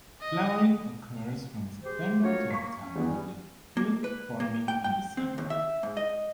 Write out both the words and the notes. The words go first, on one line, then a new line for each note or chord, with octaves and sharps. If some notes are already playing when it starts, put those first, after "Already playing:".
Flowering occurs from September to October with fruit forming in December.
D#5
G4 G#4 C5
F#3 F4 F#4 A#4 C#5
A#3 C#6 B6
C#4
E2 G3 B3
A#3
B4
A#3
G5
G5
C4
D#2
E5
G#2
D#5